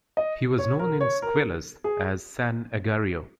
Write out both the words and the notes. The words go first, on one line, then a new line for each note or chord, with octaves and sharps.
He was known in Squillace as "San Agario".
D#5
C#5
A#4
C#5
A#4
G#4